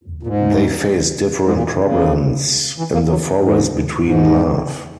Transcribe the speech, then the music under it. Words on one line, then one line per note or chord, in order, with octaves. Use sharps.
They face different problems in the forest between love.
A#2
G#2
G#2
A#2
C#3
E3
A#3
F#3
G#2
G#2